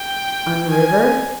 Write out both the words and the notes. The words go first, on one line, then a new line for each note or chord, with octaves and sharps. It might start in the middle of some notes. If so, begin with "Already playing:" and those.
"On the river?"
Already playing: G5
G#5